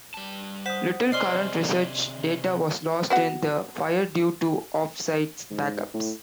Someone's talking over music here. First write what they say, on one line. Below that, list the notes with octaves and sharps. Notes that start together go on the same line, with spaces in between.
Little current research data was lost in the fire due to offsite backups.
G3 A5
C5 F#5 D#6 B6 E7
C3 G#4 C5 D5 D#5 C6 F6 C7
B3 F#4 F#5
G#2
A2